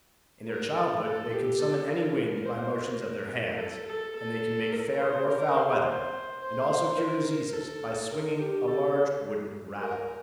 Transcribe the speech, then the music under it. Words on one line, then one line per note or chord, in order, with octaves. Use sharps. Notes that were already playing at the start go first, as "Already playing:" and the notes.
In their childhood they can summon any wind by motions of their hands, and they can make fair or foul weather, and also cure diseases by swinging a large wooden rattle.
A#4
A4
A4
G4
A4
A#4
C5
A#4
A4
A4
A4
A#4
C5
A#4
C5
C5
A#4
A#4
A4
A#4
G4
A4
A#4